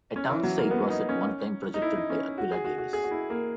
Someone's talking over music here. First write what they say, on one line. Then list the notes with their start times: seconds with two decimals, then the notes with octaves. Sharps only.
A town site was at one time projected by Aquilla Davis.
0.16 C#4
0.30 E3
0.43 F#3
0.58 A#3
0.71 B3
0.90 D#4
1.09 C#4
1.74 D#4
1.82 E4
1.95 D#4
2.10 C#4
2.38 F#4
2.52 G#4
2.64 F#4
2.78 F#4
2.93 G#4
3.04 F#4
3.11 E4
3.30 A#3